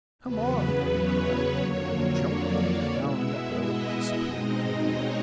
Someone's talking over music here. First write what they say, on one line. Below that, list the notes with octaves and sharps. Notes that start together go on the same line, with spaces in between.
"Come on!" he cried, and jumping down the hole, disappeared from view.
E2 C#3 F#3 B3 B4
C#5
F2 D3 F#3 A#3
D5
B2 G#3 B3 E4 E5
D#5
B2 G#3 C4 D#4
C#5